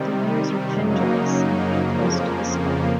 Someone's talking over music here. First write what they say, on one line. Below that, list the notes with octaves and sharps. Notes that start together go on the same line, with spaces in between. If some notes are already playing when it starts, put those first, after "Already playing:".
The ears are pendulous and hang close to the skull.
Already playing: C3 D#3 G3
F#2 C#3 F#3 A#3 D#4
F2 C#3 F3 A#3